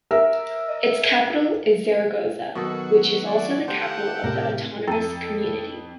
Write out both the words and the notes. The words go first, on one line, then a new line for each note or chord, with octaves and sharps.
Its capital is Zaragoza, which is also the capital of the autonomous community.
A#4 E5
B2 D#3 F#3 A4
D5
A3 G4 C5 F#5
A2 C3 A#4
F2 E4 A4 G5 A5